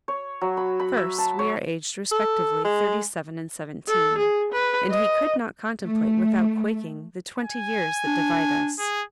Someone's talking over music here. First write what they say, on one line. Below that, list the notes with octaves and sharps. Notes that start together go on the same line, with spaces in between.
First, we are aged respectively thirty-seven and seventeen; and he could not contemplate without quaking the twenty years that divide us.
C#5
F#3
B5
B5
E5
A5
C#5
A4
G#3
A4
G#4
B4
D#5
A3
G#5
D4
G#4